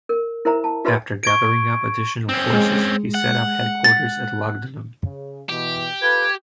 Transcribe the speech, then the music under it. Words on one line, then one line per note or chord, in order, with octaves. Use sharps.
After gathering up additional forces, he set up headquarters at Lugdunum.
A#4
E4 A#4 C5 E5 A#5
A5
F4 G4 B4 C5 E5 C6
C#6 G#6 D7
C4 C#4
G#3
F#5
A6
C#3
B2 E3 G4
F4 A4 B4 G#6